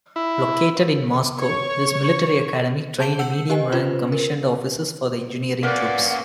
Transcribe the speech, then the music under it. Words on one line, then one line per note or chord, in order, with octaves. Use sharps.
Located in Moscow, this military academy trained medium-rank commissioned officers for the Engineering Troops.
E4
C#5 C#6
G#4 A5 G6 D7 G7
F#5 E6 G6 C#7 F#7
G4 D#5 G#5
C#4 F4 B4 C5
A#4
A#3 C#4 A#4 B4 D5 F#5